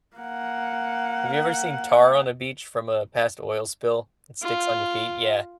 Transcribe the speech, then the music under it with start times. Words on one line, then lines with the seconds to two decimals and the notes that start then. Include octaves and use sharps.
have you ever seen tar on a beach from a past oil spill that sticks on your feet? Yeah.
0.17 A#3 F#5
4.42 F4